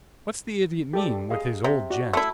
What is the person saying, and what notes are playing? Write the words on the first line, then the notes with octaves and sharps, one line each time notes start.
'What's the idiot mean!--with his old gent!
G4 A4 D5
G#4 D#5 F5
C3
F#4 D5
A3 E4